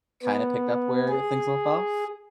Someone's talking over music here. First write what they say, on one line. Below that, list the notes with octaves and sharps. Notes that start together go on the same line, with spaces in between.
kinda picked up where things left off?
B3
G#4